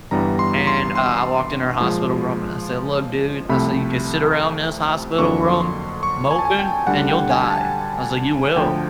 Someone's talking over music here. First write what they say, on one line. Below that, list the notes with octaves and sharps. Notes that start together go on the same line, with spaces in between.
and I I walked in her hospital room, and I said, "Look, dude." I said, "You could sit around in this hospital room moping, and you'll die." I was like, "You will."
G1 G2 E3 G3 B3 A#5
C6
C6
C6
A#2 F3 G#3
C2 C3 F3 A3 B5
F2 D3 F#3 A#3 D4 C#6
C6
C#6
G#5
A5
G#5
G5
D2 D3 G3 F#5
G5
G#5
A5
D2 D3 F3 G5